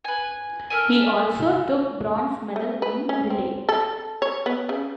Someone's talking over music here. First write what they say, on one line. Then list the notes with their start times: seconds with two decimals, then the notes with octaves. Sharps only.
He also took bronze medal in relay.
0.04 B4 G#5
0.70 A4 A#4 E5 G#5
2.56 A3
2.82 B4
3.09 C#4
3.30 C4
3.69 A4
4.22 C#5
4.46 B3
4.69 C#3